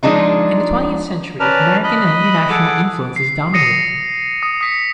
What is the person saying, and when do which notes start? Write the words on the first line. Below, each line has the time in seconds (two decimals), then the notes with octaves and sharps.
In the twentieth century, American and International influences dominated.
0.03 F3 G#3 D4 D#4 F4
1.40 C#4 A#4 B4 D5 A5 F6
1.84 D#5 B5 F#6
2.50 G#4 A4 F#5 D6
3.16 C7
3.54 D#6 A#6 C#7 D#7
4.43 D#6
4.61 D#6 B6 C#7